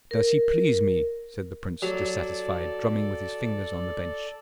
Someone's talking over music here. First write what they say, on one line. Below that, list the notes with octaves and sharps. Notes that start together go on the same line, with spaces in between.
"Does he please me," said the prince, dissatisfied, drumming with his fingers on the bench.
A#4
F#3 A4 D5